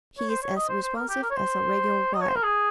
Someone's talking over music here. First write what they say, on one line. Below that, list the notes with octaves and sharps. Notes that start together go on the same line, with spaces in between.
He is as responsive as a radio wire.
C#5
C5
C#5
D#5
C5
C5
A#4
G4
A#4
C#5
C5
D#5
C#5
C5
A#4
G#4